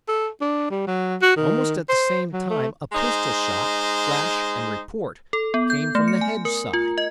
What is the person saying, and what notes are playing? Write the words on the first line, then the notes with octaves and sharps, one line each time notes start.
Almost at the same time a pistol-shot, flash and report, came from the hedge side.
A4
D4
G3
F#3
F#4
D#3
C5
F#3
A3
G#3 D#4 C5
A4
B3
G6
A3
C#7
G#5
A#4
F4
D#5